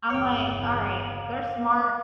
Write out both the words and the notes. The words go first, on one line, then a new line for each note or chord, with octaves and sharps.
I'm like, "All right, they're smart
G1 E2 C#3 C#5 G5
A#3